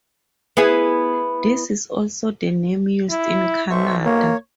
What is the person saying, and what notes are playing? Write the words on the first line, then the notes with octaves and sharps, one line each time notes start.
This is also the name used in Canada.
B3 E4 G#4
E4
B1 C5 E5 C#6
A#3 C#5